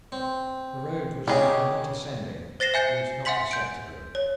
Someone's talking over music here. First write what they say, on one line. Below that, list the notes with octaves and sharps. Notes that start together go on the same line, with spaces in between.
The road was now not ascending, at least not perceptibly.
C4
C#3 G4 G#4 D#5
C5 A6 A#6 C7 E7
E5 G#5 G6 C7 G7
E5 F#5 G#5 C6 B6 F#7
G6 D7
C#5